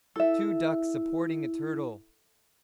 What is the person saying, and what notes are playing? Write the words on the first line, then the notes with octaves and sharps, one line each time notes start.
Two ducks supporting a turtle!
E4 A4 E5